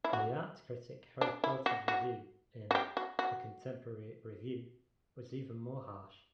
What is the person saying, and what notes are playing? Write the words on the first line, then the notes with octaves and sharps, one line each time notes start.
The art critic Harry Quilter's review in "The Contemporary Review" was even more harsh.
E4
F#4
D4
E4
F#4
F#4
F#4
G4
F#4
F#4